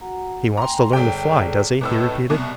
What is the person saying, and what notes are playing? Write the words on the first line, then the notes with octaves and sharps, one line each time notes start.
"He wants to learn to fly, does he?" he repeated.
F#4 F#5 A#5
G5 G#5 A#5 C6
G1 G#4 A4 D5 G5
C2 A2 B4 D#5 A5 E6
C2 B2 D5